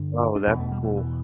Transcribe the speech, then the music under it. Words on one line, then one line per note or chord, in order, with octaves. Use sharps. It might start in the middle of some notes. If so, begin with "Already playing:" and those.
Oh, that's cool.
Already playing: G2 D3
D4
E2 B2 C#4
A3
G3
E3
E3